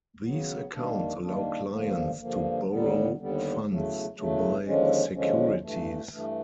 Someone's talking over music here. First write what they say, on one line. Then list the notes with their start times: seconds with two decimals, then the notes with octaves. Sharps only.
These accounts allow clients to borrow funds to buy securities.
0.26 C#3 F#3 B3
0.74 D#3 G3 A#3 D4
1.23 D#3 G3 A#3 D4
1.72 G2 D3 F3 A#3
2.20 G2 D3 F3 A#3
2.70 D#2 D3 G3 B3
3.18 D#2 D3 G3 B3
3.67 E2 C#3 F#3 A3
4.16 E2 C#3 F#3 A3
4.65 D#2 D3 F3 G#3 C#4
5.14 D#2 D3 F3 G#3 C#4
5.63 G2 E3 A3
6.11 G2 E3 A3